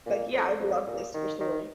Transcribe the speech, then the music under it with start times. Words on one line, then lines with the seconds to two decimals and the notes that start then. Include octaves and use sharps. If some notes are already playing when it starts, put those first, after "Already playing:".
Like, yeah, I'd love this for sure.
0.06 A#2
0.33 F2
0.59 F2
0.87 A#2
1.14 D#3
1.40 D#3